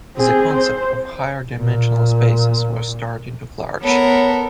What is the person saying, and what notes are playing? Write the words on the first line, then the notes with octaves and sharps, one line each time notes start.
The concept of higher-dimensional spaces was starting to flourish.
C4 G#4
C5
A#2
B3 A4 A#4 C#5